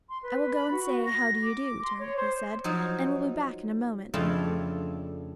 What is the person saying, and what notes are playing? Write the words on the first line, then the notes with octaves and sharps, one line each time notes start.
"I will go and say 'How do you do?' to her," he said, "and will be back in a moment."
C6
B4
B5
F#4
F#4
A#6
D6
C6
C#5
C5
F3 F#3 D#4
F2 C#3 A3 D4 E4 F4